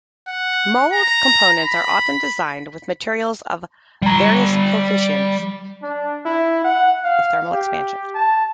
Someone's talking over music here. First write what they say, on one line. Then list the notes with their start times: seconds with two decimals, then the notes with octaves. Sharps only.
Mould components are often designed with materials of various coefficients of thermal expansion.
0.28 F#5
0.93 A#5
1.64 B5
4.02 G3 A#5
5.83 D4
6.25 E4
6.64 F#5
7.04 F5
7.53 G4
8.15 A5